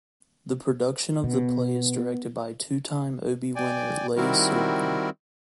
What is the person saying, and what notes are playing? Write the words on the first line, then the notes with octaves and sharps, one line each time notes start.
The production of the play is directed by two-time Obie winner Leigh Silverman.
B2 B3
D5 G5 G#5
D#3 G3 C4 E4 F#4 A#4